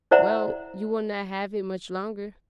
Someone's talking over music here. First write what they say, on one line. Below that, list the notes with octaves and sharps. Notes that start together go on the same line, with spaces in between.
"Well, you will not have it much longer."
E4 C5 D5 E5 F#5 A#5